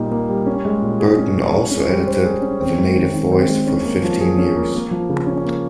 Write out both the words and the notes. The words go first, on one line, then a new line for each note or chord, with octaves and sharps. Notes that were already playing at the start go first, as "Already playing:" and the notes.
Burton also edited "The Native Voice" for fifteen years.
Already playing: A#2 G3 A#3 D#4
A#3
G3
C#4
G#3
A#2
G#4
C#4
G#3
G#4
C#4
G3
C5
G#4
C#4
C4
G#3
D#3
D#3
C4
G#3
C#4
A#3
F3
G#4
C#4
A#3
A#3
F3
C#3
C#4
A#3